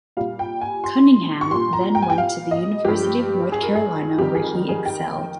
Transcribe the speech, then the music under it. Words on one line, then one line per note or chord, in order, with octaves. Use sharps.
Cunningham then went to the University of North Carolina, where he excelled.
A#2 G3 F5
G5
G#5
C6
C#6
A#2 G3 C6
A#5
G5
G#5
G5
F5
D#5
G2 F3 G4
G#4
A#4
G#4
F2 D#3 G3 G4
G#4
G#4
G5